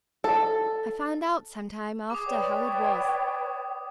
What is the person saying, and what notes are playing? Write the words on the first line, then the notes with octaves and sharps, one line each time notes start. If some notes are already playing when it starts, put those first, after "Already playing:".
I found out, some time after, how it was.
A4
G#4 D6 D#6
B4 C#5 D5 G5